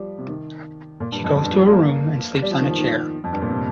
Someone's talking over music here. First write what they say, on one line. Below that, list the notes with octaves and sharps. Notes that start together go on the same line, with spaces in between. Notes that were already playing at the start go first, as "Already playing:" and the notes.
She goes to her room and sleeps on a chair.
Already playing: F3 G3
C3
D#3
A#2
G2
F2
F2
G2
F3
G3
A#3
G3
F3
D#3
F3
D#3
F2
G2
A#2
C3